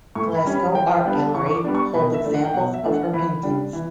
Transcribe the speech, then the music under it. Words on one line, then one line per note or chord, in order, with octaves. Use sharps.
Glasgow Art Gallery hold examples of her paintings.
A2 C#6
B5
G3 C#4
B5
E3 G5
G5
G3 B3 D4
A5
E3 C#6
C#6
D6
G3 B3 D4
C#6
B2 B5
E5
A3 D4
F#5
G5
B2 F#5
E5
A3 D4
F#5
E3 B5
G3 D4
E3